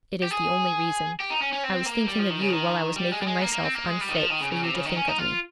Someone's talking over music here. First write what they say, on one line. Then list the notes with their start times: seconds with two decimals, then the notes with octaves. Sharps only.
It is the only reason. I was thinking of you while I was making myself unfit for you to think of me.'
0.23 G4
0.31 G#4
1.20 G4
1.30 D#4
1.42 C#4
1.53 C#4
1.64 C4
1.86 A#3
2.08 G3
2.19 F3
2.30 D#3
2.41 C#3
2.48 F3
2.52 D#3
2.96 G3
3.12 G#3
3.21 G3
3.26 G#3
3.41 A#3
3.52 A#3
3.63 C4
3.75 A#3
3.85 G#3
4.01 G3
4.09 D#3
4.15 F3
4.30 D#3
4.41 C#3
4.52 C#3
4.63 C3
4.74 C#3
4.85 D#3
4.96 C#4
5.07 D#4
5.18 F4